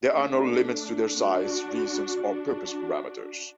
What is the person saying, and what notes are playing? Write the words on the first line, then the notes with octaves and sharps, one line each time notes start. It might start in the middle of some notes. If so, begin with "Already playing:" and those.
There are no limits to their size, reasons, or purpose parameters.
A3 D4
D4 F#4
D4 F#4